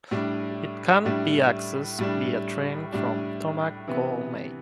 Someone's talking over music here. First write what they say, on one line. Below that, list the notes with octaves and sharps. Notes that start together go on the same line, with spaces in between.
It can be accessed via train from Tomakomai.
A2 G3 D4
A2 G3 D4
A2 G3 D4
A2 G3 D4
C3 E3 B3